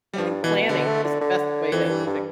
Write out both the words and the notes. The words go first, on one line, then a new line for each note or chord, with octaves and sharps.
I think planning is the best way to to,
G3
G2 F3
B2 E3
B2 D3
A3
D3
D3
F2 E3
G2
G2